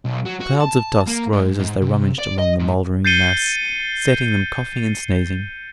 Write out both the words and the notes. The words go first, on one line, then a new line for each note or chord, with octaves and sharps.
Clouds of dust rose as they rummaged among the mouldering mass, setting them coughing and sneezing.
B1
F#3
F#4
A5
A#3
G#2
G#2
C3
D5
D#5
G#2
G6 A6 C7 C#7 D#7 G7